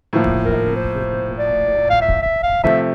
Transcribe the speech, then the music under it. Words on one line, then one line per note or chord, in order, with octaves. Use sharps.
Society is shaken to its foundations.
A2 F3 A#3
A#4
C5
D5
F5
E5
E5
F5
C3 F3 A3 E5